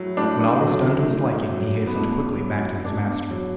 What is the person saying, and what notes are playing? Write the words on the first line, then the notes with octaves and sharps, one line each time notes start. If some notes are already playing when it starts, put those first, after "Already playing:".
When all was done to his liking he hastened quickly back to his master.
Already playing: A2 F#3
A2 D4
F#3
A2
F#3
B3
A2 D4
F#3
B2 D4
F#3